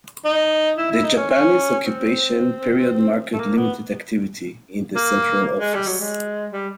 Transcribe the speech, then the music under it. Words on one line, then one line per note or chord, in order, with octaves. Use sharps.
The Japanese occupation period marked limited activity in the Central Office.
D#4
E4
E4
D#4
C#4
C#4
C4
A3
A#3
B3
A#3
G#3
G3
F#3
G#3
G3